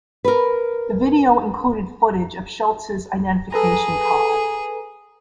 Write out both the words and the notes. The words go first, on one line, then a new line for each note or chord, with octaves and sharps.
The video included footage of Schulz's identification card.
A#4 B4
G#4 A4 B4 A#5